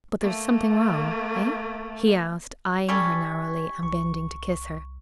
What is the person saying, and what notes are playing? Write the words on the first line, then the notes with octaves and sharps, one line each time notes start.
"But there's something wrong--eh?" he asked, eying her narrowly, and bending to kiss her.
A3 A#3
G3 C#4 A4 C#6 G#6 B6
C2 C#6